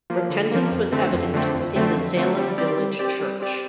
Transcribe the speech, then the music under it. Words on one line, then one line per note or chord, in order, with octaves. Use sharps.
Repentance was evident within the Salem Village church.
F3 A#3
D3
F3 A#3
F2
D3 A3 C4
F2
D3 A3 C4
F2
D3 A3 C4
F2
D3 A3 C4
G3
C4 G4 D5
G3
C4 G4 D5
G3
C4 G4 D5